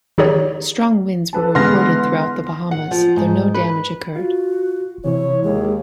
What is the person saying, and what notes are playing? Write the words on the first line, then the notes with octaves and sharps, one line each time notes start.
Strong winds were reported throughout the Bahamas, though no damage occurred.
D#3 D#4 G4 G#4 C#5 D5
A4 B4 A5
D3 E3 G#3 B3 C6 F6 A#6
F#5
F3
G#2
B4
F4 F#4
C3 E3 E4 C#5
D#2 G#3 G#4